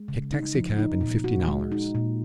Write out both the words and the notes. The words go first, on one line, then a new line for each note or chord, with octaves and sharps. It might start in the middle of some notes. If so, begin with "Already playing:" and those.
Take taxicab and fifty dollars.
Already playing: G#3
C#3
D#4
F3
D#4
A#2
F#4
G#3
D#4
A#2